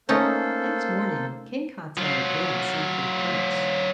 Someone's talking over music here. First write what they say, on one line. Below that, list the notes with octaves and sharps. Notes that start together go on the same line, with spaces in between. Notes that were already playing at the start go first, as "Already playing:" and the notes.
Next morning King Kostiei again sent for the prince.
A3 A#3 C#4 D#4 A4 C5
F#3 F4